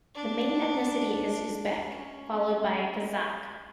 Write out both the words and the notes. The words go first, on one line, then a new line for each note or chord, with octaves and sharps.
The main ethnicity is Uzbek, followed by Kazakh.
D4
C#4